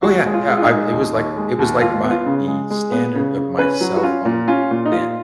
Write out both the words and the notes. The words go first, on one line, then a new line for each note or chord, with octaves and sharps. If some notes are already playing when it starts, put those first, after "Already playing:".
Oh, yeah, yeah, I it was like it was like my the standard of my cell phone then,
D#2 F#4
G#3
F4
G#3
F4
D#4
G#3
D#2
D#2
G#3
D#2
D#2 F4
B3
F4
C#3
G#3
G#3
B3
C#3
C#3
C#4 B4
F#3
F#4
C#4 F4
A#2
C#4 F4
A#2
D#4
A#2 F4